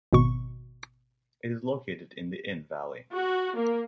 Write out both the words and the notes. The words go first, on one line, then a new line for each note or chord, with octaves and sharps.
It is located in the Inn valley.
G#1 B2 C#6
F#4
A#3